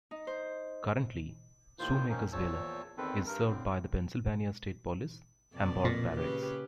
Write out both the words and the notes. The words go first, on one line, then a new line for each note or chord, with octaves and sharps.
Currently, Shoemakersville is served by the Pennsylvania State Police - Hamburg Barracks.
D#4
C5
D#2 A2 D#3 F4 C5
D#3 F3 A#3 C#4 D#4
E2 A#2 F3 C#5 A5 E6
E2 D#3 C4 A4 B4
G2 A#4
A2 D3 C4
F2 B2 D5
A#2
C#3 G4 B4